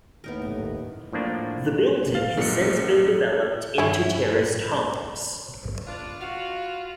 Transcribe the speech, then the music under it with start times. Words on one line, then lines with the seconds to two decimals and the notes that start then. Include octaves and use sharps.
The building has since been developed into terraced homes.
0.24 D#2 A2 B3 D#4 A#4
1.13 A2 F3 A#3 D4
2.15 F5 A6
2.37 A1 F#2 A#2 C#7
3.78 G2 C#4 E4
5.87 D4 F4
6.20 F#4 F5